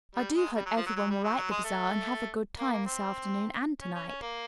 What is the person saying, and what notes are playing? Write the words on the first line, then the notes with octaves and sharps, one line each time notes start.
I do hope everyone will like the bazaar, and have a good time this afternoon and to-night.
G3
G#3
G3
F#3
F3
F#3
F#3
G3
F#3
F#3
G#3
A3
A#3
A#3
C4
C#4
C#4
C#4
A#3